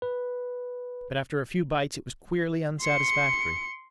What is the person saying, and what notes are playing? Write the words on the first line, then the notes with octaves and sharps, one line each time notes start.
But after a few bites, it was queerly unsatisfactory.
B4
C6 C#7